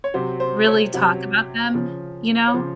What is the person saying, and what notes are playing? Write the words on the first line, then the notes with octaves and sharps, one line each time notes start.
really talk about them, you know?
C#5
C3 F#3 C5
C5
C#5
C3 F#3
C#3 F3
C#5
C#3 F3 C5